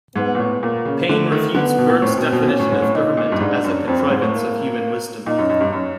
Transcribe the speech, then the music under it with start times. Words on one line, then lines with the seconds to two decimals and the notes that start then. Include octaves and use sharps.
Paine refutes Burke's definition of Government as "a contrivance of human wisdom".
0.16 G#2 B3
0.35 A#2
0.39 A2
0.63 A#2 A#3
0.85 C#3
1.08 D3 A3
1.32 D#3
1.55 D3 B3
1.78 B2
1.90 A#2
2.02 A2 C4
2.17 B2
2.32 B2
2.42 B2
2.48 A#2 C#4
2.59 A2
2.71 G#2
2.82 A2
2.94 A#2 D#4
3.17 A#2
3.32 G2
3.40 G#2 D4
3.64 F#2
3.87 F2 C4
3.99 F#2
4.10 G#2
4.22 A2
4.34 A#3
5.26 A#2 D#4
5.38 F#2
5.49 F#2
5.61 G2
5.73 F#2